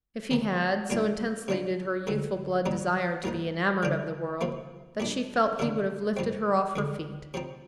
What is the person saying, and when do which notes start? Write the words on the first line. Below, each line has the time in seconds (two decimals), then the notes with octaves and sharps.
If he had, so intensely did her youthful blood desire to be enamoured of the world, that she felt he would have lifted her off her feet.
0.31 D#2 D#3 A#3
0.90 C2 A#2 G3 D4 F4
1.48 C3 G3 D4 F4
2.07 D2 D3 F3 G#3
2.66 G2 D#3 G3 A#3 D#4
3.24 G2 F3 A#3 D#4
3.83 D3 G3 D4 F4
4.41 C3 F3 A#3
5.00 A#2 G3 D4
5.59 C3 D#3 A#3 D4
6.17 G2 F3 C4
6.76 F2 D3 G#3
7.34 C3 F3 C4 D#4